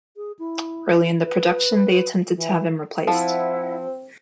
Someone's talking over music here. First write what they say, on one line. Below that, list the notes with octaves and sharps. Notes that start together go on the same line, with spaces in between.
Early in the production, they attempted to have him replaced.
G#4
E4
B4
E3
F3 C4 E4 F#5